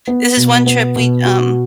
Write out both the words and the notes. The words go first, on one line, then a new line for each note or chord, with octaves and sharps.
This is one trip we, um
B3
B2
B3
B2
F#4